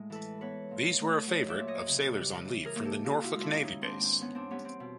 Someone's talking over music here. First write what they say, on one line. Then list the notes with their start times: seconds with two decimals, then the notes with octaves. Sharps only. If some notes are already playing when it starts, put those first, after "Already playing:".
These were a favorite of sailors on leave from the Norfolk Navy Base.
Already playing: A2 G#3
0.10 E3 A4 B4
0.41 B3 B4 C#5
0.71 A#2
1.00 A3
1.27 F#3 C#5 D#5
1.49 D5 E5
1.59 A#2
1.67 C#5 D#5
1.88 C#3
2.17 G3
2.46 E3
2.65 G#4 A#4
2.75 A#3
2.85 G4 A4
3.04 G#2 F4 G4
3.23 E4 F#4
3.34 G#3 F4
3.43 D4 E4
3.62 D#3 C#4 D#4
3.82 C4 D4
3.93 G#2
4.02 C4
4.20 E2 B3 C#4
4.35 C4 D4
4.50 G3 B3 C#4
4.65 C4
4.80 B2